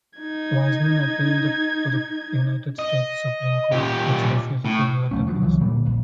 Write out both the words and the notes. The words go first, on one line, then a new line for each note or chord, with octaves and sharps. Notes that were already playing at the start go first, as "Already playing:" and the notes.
Wiseman appealed to the United States Supreme Court, which refused to hear the case.
D#4 G#6
D#5
A#2 G4
A2
F2 A2 A3 C#4
D3 F3 F#3
C#2 E3 F#3
A#2 D3 G3 A#3
A#1 D#2